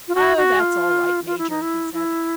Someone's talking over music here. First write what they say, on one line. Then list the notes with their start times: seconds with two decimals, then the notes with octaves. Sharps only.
"Oh, that's all right, Major," he said.
0.08 F4
0.15 F#4
0.37 F#4
0.60 F4
1.27 F4
1.38 E4
1.50 D#4
1.62 E4
1.94 E4